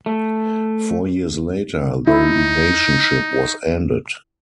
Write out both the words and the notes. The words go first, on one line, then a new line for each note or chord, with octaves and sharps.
Four years later, the relationship was ended.
A3
D#4 E4